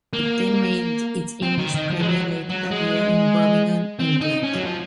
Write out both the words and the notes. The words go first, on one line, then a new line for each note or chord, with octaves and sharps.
It then made its English premiere later that year in Birmingham, England.
A#3
C4
D#3
D#3
F3
G#3
F#3
F#3
G#3
C4
D#4
C#4
F#3
F3